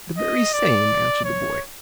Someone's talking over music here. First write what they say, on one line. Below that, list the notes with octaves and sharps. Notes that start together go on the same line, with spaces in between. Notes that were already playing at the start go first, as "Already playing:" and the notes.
"The very same," answered the boy.
D#5
D5
C#5